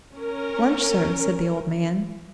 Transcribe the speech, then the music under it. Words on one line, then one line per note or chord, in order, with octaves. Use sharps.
"Lunch, sir," said the old man.
C#4 A#4